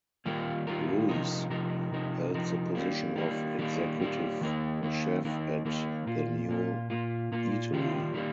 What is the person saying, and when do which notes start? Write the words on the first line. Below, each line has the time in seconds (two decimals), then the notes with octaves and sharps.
Ruiz held the position of Executive Chef at the new eatery.
0.26 D#3 G3 A#3 F4 A#4
0.67 D#3 G3 A#3 F4 A#4
1.09 C3 F3 D#4 A#4
1.50 C3 F3 D#4 A#4
1.91 C3 F3 D#4 A#4
2.33 C3 F3 D#4 A#4
2.75 D#3 G3 A#3
3.16 D#3 G3 A#3
3.59 D#3 G3 A#3
3.99 D#3 G3 A#3
4.41 D#3 A#3 D#4 A#4
4.83 D#3 A#3 D#4 A#4
5.25 D#3 A#3 D#4 A#4
5.65 D#3 A#3 D#4 A#4
6.07 A#2 A#3 F4
6.49 A#2 A#3 F4
6.90 A#2 A#3 F4
7.32 A#2 A#3 F4
7.73 D#3 G3 A#3 F4
8.14 D#3 G3 A#3